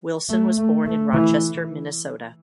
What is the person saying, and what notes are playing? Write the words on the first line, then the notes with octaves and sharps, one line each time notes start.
Wilson was born in Rochester, Minnesota.
A3
A3
A3
E3